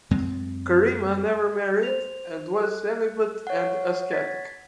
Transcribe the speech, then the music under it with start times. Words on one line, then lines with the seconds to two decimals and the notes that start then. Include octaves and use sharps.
Karima never married and was celibate and ascetic.
0.11 F#2 G#3 C4
1.83 C5 F7
2.59 A4 F#6
3.47 C#5 F#5
4.11 G#6 A6 B6